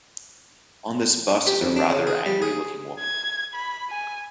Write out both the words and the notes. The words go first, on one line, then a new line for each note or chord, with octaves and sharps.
On this bus is a rather angry looking woman.
G4
F2
D4
C#3
G#4
G3
G#4
G#6
B5
G#5